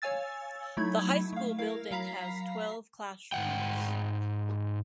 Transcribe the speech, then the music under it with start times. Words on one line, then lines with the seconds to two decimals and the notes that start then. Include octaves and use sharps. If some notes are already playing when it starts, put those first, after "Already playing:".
The high school building has twelve classrooms.
0.02 C#5 F5 G#5 E6 A6
0.77 F#3 A3 D#4 E4 B5 G#6
1.32 A3 F5
1.59 E4 A#4 F5
1.91 F#3 F5 A#5 B5 B6 C7
3.32 G#2 E3 F#5 G5